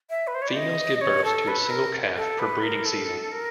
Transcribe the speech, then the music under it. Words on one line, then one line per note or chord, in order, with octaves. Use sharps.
Females give birth to a single calf per breeding season.
E5
B4
C5
C#5
D5
D#5
C#5
A4
B4
A#4
A4
B4
A#4
A4
A#4